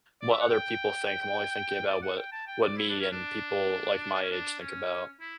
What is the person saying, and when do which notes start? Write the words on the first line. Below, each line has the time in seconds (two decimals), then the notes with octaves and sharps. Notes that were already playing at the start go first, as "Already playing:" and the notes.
what other people think. I'm only thinking about what what me and people, like, my age think about.
0.22 D5
0.31 E5
0.40 F#5
0.50 G5
1.87 D5
2.02 F#5
2.17 G5
2.32 A5
2.47 G5
2.62 D5
2.77 E4
2.89 D4
3.00 C#4
3.11 D4
4.14 D4
4.22 C#4
4.31 D4
4.60 C#4
5.20 E4